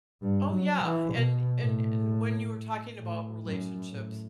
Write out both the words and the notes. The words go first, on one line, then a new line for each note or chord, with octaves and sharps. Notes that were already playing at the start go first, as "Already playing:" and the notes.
Oh, yeah, and and and when you were talking about relationships,
G2
F#3
E3
B2
A2
A2
F#2
A2